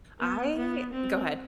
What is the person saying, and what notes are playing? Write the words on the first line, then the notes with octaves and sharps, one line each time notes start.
I go ahead.
B3
B3
C4